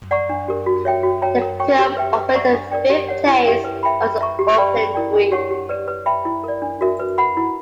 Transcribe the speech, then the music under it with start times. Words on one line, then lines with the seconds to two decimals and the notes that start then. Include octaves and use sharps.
The film opened in fifth place on its opening week.
0.11 D5 F#5 A#5 C#6
0.29 D4
0.48 G4 A#4
0.66 F#4
0.85 C#5 E5 G5
1.03 F#4
1.22 C#5 G5 A#5
1.41 A#4
1.60 C#5 G5 C#6
1.79 G4
1.97 B4 E5 G5
2.15 B4
2.34 D5 F#5 A#5 C#6
2.53 D4
2.72 A#4 D5 G5
2.90 G4
3.08 C#5 F#5
3.27 E4
3.46 G4 A#4 E5 G5
3.64 B4
3.83 E5 G5 B5
4.01 B4
4.21 E5 A#5 C#6
4.39 G4
4.57 B4 D5 G5 B5
4.76 C#4
4.95 E4 A#4 D5 G5
5.13 D4
5.32 G4 C#5 F#5 C#6
5.51 G4
5.69 B4 D5
5.88 B4
6.06 E5 G5 B5
6.25 E4
6.44 A#4 D5
6.62 D4
6.81 F#4 A#4 E5
6.99 B4
7.18 F#5 B5
7.37 E4